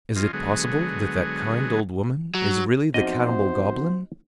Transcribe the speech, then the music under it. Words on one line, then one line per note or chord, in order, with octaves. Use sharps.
Is it possible that that kind old woman is really the cannibal goblin?
F3 C#4 F4 D#5
D3 F#3 G#3 B3 G#4
F#3
E2 F3 C4 D#4 F#4 C5 D#5